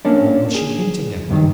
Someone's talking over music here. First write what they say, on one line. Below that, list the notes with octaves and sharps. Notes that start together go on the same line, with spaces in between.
What was she hinting at?
A#3 C#4 D4
G#4
C#2 G2 D#3